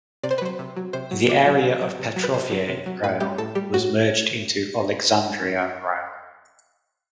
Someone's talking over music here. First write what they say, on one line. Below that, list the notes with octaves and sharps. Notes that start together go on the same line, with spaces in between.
The area of Petrove Raion was merged into Oleksandriia Raion.
C3 D5
C5
B4
F#3 C5
C3
F#3
C3 C5
F#3
C3 D5
F#3
C3
F#3
C3
F#3
B4
C3 C5
F#3
C3
F#3
A2 B4
G3 G4
A2 A4
G3 G4
A2 F#4